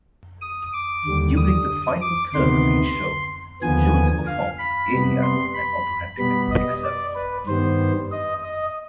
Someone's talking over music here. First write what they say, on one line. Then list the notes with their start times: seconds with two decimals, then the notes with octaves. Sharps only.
During the final third of each show, Jones performed arias and operatic excerpts.
0.41 D#6
0.73 D6
1.05 D#2 D3 G3
1.37 D#6
2.01 D6
2.34 D2 C3 D#3 B3 C6
3.62 D#2 D3 F3 B3 G#5
4.27 F5
4.58 B5
4.91 C3 G3 B3
5.22 C6
5.54 B5
6.19 B2 G3 B3 B5
6.51 D#5
6.84 D5
7.15 B4
7.47 G2 D#3 G3 B3 C5
8.12 D#5
8.44 D#5